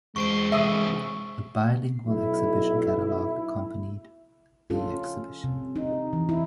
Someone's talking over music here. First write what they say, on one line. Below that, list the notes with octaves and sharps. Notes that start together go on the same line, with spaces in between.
A bilingual exhibition catalogue accompanied the exhibition.
E2 G#3 C5 C#6 D7
C3 E3 C5 E5 D#6
B1 E4
C#4 F4 A4
C3
D#4
E3
E4